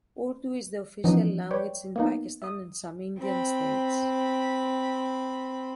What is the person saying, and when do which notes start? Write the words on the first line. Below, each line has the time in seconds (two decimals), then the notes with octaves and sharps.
Urdu is the official language in Pakistan and some Indian states.
1.04 E3 F3 B3 C#4 D#4 D#5
1.51 B4 C#5 D5 G5 C#6 D6
1.96 A#3 B3 D#4
2.42 E5 D#6
3.19 C4 B5